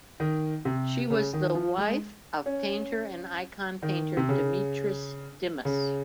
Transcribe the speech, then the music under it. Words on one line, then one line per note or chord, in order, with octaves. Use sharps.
She was the wife of painter and icon painter Dimitris Dimas.
D#3
C3
C#3
D#3
F3
G#3
C#4
D#3
C3
C#3
C#3